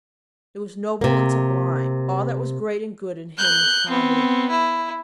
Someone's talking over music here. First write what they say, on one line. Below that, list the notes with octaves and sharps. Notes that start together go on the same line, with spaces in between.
It was noble and sublime; all that was great and good in him responded.
C3 A#3
F#6 G6
B3 C4
E4